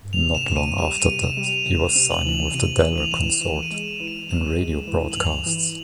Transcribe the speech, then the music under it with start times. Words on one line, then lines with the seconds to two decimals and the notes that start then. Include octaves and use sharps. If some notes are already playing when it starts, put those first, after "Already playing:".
Not long after that he was singing with the Deller Consort in radio broadcasts.
0.13 F7
0.21 C3
0.35 E7
0.50 C3
0.57 D#7
0.78 G3 E7
1.00 D#7
1.08 C3
1.22 E7
1.37 G3
1.44 F7
1.66 C3
1.89 F7
1.96 C3
2.11 F#7
2.25 E3 F#7
2.32 F7
2.54 C3 D#7
2.84 E3
2.98 F7
3.12 E3 E7
3.25 F7
3.41 E3 E7
3.63 D#7
3.71 G#3
4.00 E3
4.07 D#7
4.29 G2 E7
4.58 G#3
4.87 E3
5.12 F#7
5.16 G2 F7
5.46 E3